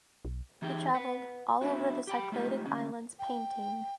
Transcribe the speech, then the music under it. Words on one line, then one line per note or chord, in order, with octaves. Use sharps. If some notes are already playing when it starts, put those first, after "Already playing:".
He traveled all over the Cycladic islands painting.
B1
E3 D#4 G4 G#4 G5
B4 F#5
B3 D4 E4 F#4
G4 G5 B5
G#3 A3 D#4 F4 G4
D2 C#3 C#4
G5